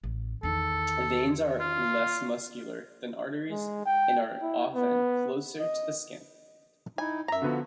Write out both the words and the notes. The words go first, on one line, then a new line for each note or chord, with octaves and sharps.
Veins are less muscular than arteries and are often closer to the skin.
A1
E2 D#3 A4
F4
G#3
G5
E4
B3
D#5
D#4 E4 G#5
F#2 E5 A#5
D3 F3 B3 F#4